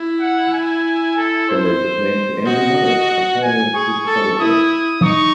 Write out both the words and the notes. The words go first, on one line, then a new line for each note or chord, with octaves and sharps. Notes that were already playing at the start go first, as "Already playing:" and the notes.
The lake was named for Andrew Meyer, a pioneer who settled there.
Already playing: E4
F#5
G#5
A4
C5
F#4 D#5
F#5
G#5
G#4 C#6
A4
E4 D#6
D#4 C#6